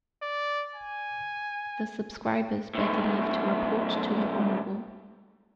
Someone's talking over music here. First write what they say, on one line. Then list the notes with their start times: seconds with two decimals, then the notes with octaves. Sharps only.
The Subscribers beg leave to Report to your Honorable.
0.22 D5
0.76 G#5
2.75 B1 A2